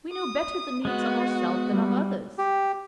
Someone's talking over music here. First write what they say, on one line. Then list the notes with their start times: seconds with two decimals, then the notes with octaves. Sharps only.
We know better the needs of ourselves than of others.
0.13 D#6
0.85 G#3 B3 F#4
1.69 G3
2.38 G4